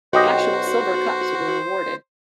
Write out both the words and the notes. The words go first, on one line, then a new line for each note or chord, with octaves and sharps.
Actual silver cups were awarded.
B1 F#4 G4 C5 D#5